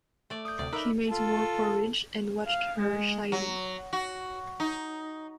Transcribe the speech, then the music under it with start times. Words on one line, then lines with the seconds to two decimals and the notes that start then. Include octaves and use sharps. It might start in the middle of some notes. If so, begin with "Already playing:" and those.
He made more porridge and watched her shyly.
0.30 A3 D5
0.45 D#6 G6
0.59 D2 C3 D5
0.73 D#4 A#4 B4 E5 D6 E6
1.09 F4 A4
2.47 F5
2.78 G#3
3.32 F#3
3.93 F#4
4.60 D#4